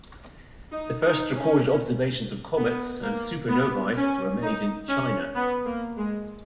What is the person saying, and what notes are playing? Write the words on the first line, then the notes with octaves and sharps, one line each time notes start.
The first recorded observations of comets and supernovae were made in China.
D#4
D#4
C#4
B3
A#3
B3
C#4
D#4
C#4
B3
A#3
G#3